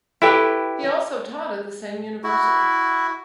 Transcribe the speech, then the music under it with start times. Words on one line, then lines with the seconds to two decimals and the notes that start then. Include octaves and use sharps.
He also taught at the same university.
0.22 E4 G4 A4 B4 G5
2.24 E4 F#4